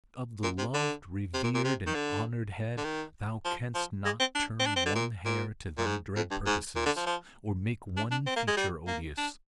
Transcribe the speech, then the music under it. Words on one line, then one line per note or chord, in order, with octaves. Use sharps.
But of the loved, revered, and honoured head, thou canst not turn one hair to thy dread purposes, or make one feature odious.
A#2
C3
D3
C3
A#2
A#2
C3
D#3
D3
D3
D#3
F3
F3
G#3
C4
D4
C4
D4
C4
D3
A#2
A#2
A#2
G#2
F2
G2
G#2
A#2
D3
F3
F3
D4
D4
C4
A#3
G#3
G3
A#3
D4